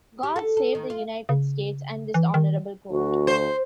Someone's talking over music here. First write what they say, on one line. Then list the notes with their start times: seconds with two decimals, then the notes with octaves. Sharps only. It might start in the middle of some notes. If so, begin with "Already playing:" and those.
God save the United States and this Honorable Court.
0.23 G4
0.36 A4
0.57 A4
0.75 D#3
0.90 F4
1.29 C#3
2.14 E3
2.34 D#3
2.91 D2 F#4
3.27 C5